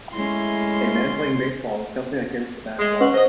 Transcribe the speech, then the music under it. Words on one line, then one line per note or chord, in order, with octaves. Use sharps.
A man playing baseball is jumping against the back wall.
G#3 A3 C#4 E4 C6
G#3
C#4 B4 F#5
C5 D#5